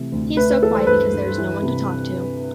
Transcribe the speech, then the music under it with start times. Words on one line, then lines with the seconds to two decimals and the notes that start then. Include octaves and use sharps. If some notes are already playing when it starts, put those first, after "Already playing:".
He is so quiet, because there is no one to talk to.
Already playing: C3 E3 A3
0.12 D2
0.37 A3 B4
0.50 B4
0.62 E3 A4
0.75 C5
0.87 G2 B4
1.12 G2
1.38 E3
1.63 C3